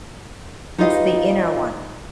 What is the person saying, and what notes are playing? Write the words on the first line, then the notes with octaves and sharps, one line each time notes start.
It’s the inner one.
D#4 F4 G4 B4 D#5 F5